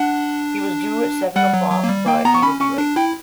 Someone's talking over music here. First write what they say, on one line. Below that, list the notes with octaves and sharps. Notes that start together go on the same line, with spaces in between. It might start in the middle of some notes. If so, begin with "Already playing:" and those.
He was due at seven o’clock, but he would be late.
Already playing: D4 F#5
G3 F#5
F#3
F#3
A#3
G3
A#3 G5
B3 A#5
C#6
C#4 B5
C#4 C#6
D4
E4 G5